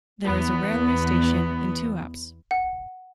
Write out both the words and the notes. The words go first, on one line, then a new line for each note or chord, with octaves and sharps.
There is a railway station in Tuapse.
E2 B3
F#5